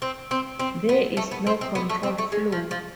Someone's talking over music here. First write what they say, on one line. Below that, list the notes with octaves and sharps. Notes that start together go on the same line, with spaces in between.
There is no control flow.
C4
C4
C4
B3
A3
B3
C4
C4
B3
A3
C4
A3
G#3
F3
F3